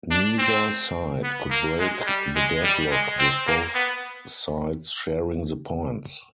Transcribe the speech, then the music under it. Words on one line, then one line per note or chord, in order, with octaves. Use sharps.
Neither side could break the deadlock with both sides sharing the points.
D4
C4
B3
A#3
G#3
G3
G#3
G3
G#3
C4
A#3
B3